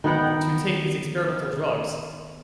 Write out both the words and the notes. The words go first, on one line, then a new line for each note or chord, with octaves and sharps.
to take these experimental drugs,
D#3 B3 F#5 G5